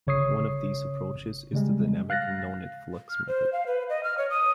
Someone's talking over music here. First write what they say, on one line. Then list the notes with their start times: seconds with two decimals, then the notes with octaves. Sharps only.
One of these approaches is the dynamic no-net-flux method.
0.07 G1 C#3 C#5 C#6 D#6 C7
1.53 C#3 G3 G#3
2.10 F5 F#6 A6 A#6
3.10 F6
3.28 C5
3.53 F5
3.66 B4
3.90 D#5
4.04 F6
4.18 C#5
4.30 D#6